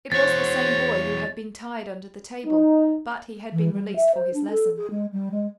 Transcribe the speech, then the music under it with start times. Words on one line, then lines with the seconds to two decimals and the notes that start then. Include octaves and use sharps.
It was the same boy who had been tied under the table, but he had been released for his lesson.
0.12 E2 F#4 C5 C#5 A6
2.46 D#4
3.52 E3
3.73 G3
3.96 E5
4.14 C5
4.33 D4
4.50 A4
4.76 G#4
4.90 G#3
5.12 G3
5.31 G#3